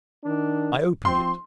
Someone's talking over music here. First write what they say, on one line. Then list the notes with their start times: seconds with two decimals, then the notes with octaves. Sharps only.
I opened it.
0.24 D#3 D4
1.05 F3 C4 C6